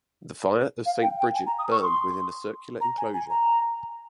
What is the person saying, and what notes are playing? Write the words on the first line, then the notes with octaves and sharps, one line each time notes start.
The fire of St. Bridget burned within a circular enclosure.
F5
G5
G5
G#5
A#5
D#6
C#6
C6
A#5
G#5
G#5
A#5